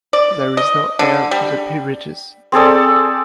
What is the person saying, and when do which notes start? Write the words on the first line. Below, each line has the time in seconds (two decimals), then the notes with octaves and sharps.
There is no heir to the peerages.
0.13 D5
0.57 D#5
0.99 D3
1.31 G3
2.52 C4 G#4 A4 D5